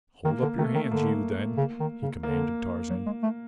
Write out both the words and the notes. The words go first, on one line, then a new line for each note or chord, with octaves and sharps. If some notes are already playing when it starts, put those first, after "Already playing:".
"Hold up your hands, you, then," he commanded Tarzan.
D#3 A#3
D3
D#3 A3
D#3
D3 A#3
C#3
D#3
C#3
D3 A#3
F#3
G#3
A3